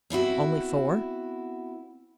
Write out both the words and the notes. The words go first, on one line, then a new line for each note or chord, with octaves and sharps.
Only four?
B3 C4 E4 F#4